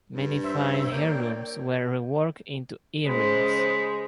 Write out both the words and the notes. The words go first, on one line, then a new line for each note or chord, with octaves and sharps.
Many fine heirlooms were reworked into earrings.
G2
C5 E5
A#3 C#5 D5 G5
C#3 G#3 C#4 C5 B5